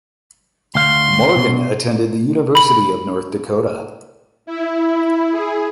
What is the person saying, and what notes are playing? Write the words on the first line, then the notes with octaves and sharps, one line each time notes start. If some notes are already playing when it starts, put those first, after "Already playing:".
Morgan attended the University of North Dakota.
D2 F5 C6
B2
B5 F#7
E4
G#4